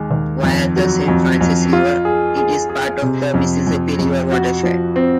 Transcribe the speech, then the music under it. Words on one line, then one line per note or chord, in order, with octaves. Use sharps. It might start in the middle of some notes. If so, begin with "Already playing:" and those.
Via the Saint Francis River, it is part of the Mississippi River watershed.
Already playing: D#2 G#3
D#2
F2
F#3
F2
F2
F4
G#4
G#4
G#4
C3
F2
F2
F2
F#4
F3
C4